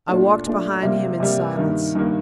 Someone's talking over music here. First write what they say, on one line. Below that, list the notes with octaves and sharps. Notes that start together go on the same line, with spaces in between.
I walked behind him in silence.
A#2 A3 D4
A#2 A3 D4
C3 G3 A#3
C3 G3 A#3
G2 D#3 A#3
G2 D#3 A#3